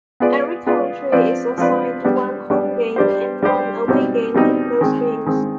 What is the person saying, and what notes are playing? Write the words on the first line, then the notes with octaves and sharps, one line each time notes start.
Every country is assigned one home game and one away game in those games.
B3 F4 G#4 B4 D5
B3 F4 G#4 B4 D5
F3 C4 F4 B4 D5
F3 C4 F4 B4 D5
G3 B3 D4
G3 B3 D4
G3 D4 G4 C5
G3 D4 G4 C5
B2 G3 C4 D#4
B2 G3 C4 D#4
D#3 G#3 C4
D#3 G#3 C4